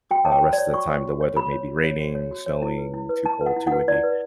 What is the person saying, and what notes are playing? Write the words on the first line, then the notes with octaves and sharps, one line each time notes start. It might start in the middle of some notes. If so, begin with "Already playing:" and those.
Uh, rest of the time, the weather may be raining, snowing, too cold, too windy.
F#4 G5
C#5 A5
G5
F#4
D5
C#5
F#4 C#6
C#5
F#4
C#5
F#4 B5
C#5
F#4
C#5
F#4
C#5
F#4
C#5
E4
B4
E4
B4
E4 A5
B4
F#5
E4
F#5
B4
E4 D5
B4